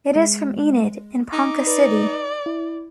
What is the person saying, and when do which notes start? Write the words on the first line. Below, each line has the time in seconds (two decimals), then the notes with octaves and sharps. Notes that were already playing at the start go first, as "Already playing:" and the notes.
It is from Enid and Ponca City.
0.16 G#3
1.33 D#4 D6
1.67 B4 D5
2.46 E4